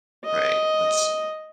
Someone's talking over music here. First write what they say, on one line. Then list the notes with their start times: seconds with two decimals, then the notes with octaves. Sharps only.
Right. That's
0.25 D#5